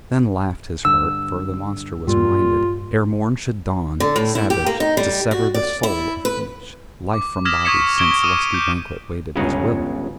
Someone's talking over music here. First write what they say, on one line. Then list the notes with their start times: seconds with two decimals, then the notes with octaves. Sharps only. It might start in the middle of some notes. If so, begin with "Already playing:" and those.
Then laughed his heart; for the monster was minded, ere morn should dawn, savage, to sever the soul of each, life from body, since lusty banquet waited his will!
0.85 G2 D3 E6
2.07 G2 A#2 G3 F4
4.00 D3
4.16 A2
4.35 E4
4.50 G4
4.66 A#3
4.80 D#4
4.97 G3
5.31 F#4
5.54 D5
5.83 E4
6.25 B4
7.14 D6
7.45 D#6 F6 G#6 A#6 B6 E7
7.65 C#6 D#6 G#6 B6 C#7 E7
7.98 C#6 G#6 B6 D7 E7 G7
8.24 D6 D#6 D#7 E7
8.54 G6
9.36 G1 C#2 C#3 G#4 F#5 A#5